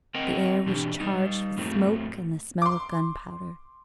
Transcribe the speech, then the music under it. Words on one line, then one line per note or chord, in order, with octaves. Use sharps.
The air was charged with smoke and the smell of gunpowder.
C4 A#4 D#5 F#5 G5
B2 E3 D4 G4
G3 D#4
F#2 A2 F#3 A3 A#3 C4
C6 D6